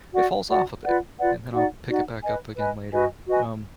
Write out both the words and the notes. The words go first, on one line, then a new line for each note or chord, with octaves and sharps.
it falls off a bit, and then I'll pick it back up again later. Um,
F#4 D5 F#5
F#4 D5 F#5
F4 B4 D5 F#5
F4 B4 D5 F#5
D#4 F#4 D5 F#5
D#4 F#4 D5 F#5
B4 D#5 G#5
B4 D#5 G#5
F#4 B4 D#5 G#5
F#4 B4 D#5 G#5